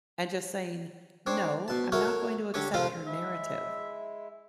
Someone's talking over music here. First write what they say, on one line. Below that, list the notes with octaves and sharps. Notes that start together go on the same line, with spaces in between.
and just saying, "No, I'm not going to accept your narrative."
C4 D4 C#5
B2 A5
E4 F#4 A4 A#4 C#5 C#6
D3 G3 A4 C#5 C#6
C2 F3 F4 A4 C5
G#3 E4 E5